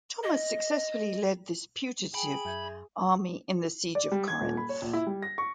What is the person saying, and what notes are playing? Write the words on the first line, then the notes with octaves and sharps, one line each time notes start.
Thomas successfully led this putative army in the siege of Corinth.
D#5
G#4 G5 G#5 B5 D7
F#2 E5 G6 G#6
D5
G3
G#6
D#1
B5
C#5
A#1
E4
G3
A#6
C#6